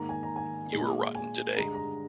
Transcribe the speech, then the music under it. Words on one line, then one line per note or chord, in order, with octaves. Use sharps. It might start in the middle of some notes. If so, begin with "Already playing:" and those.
You were rotten today.
Already playing: G#2 D#3 A#3 A#5
G#5
A#5
G#5
A#2 G#3
G#5
G2 D3 G#3 A#5
A#5